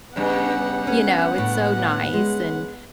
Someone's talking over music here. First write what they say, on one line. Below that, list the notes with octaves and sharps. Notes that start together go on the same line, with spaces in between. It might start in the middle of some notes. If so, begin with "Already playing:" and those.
you know, it's so nice, and,
G2 C#3 B3 F#5
C#4
A2
G#3